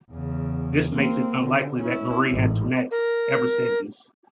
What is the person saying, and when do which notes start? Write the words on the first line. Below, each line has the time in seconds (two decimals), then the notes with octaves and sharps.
This makes it unlikely that Marie-Antoinette ever said this.
0.11 E2 C#3
0.94 A#3 C4
1.43 D3
1.78 C#4 E4
2.29 A1 G#2
2.91 A#4